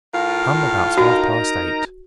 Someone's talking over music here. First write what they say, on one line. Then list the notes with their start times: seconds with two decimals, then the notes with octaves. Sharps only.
Come about half-past eight.
0.13 A2 F4 A#4
0.98 D#4 F#4 A#4 A#5